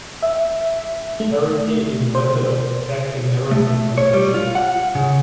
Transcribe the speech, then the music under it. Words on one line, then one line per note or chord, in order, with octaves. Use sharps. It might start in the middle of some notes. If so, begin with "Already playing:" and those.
Parity is a method of detecting errors in transmission.
E5
A3
C5
A3
C#5
G3
F4
F#5
C#3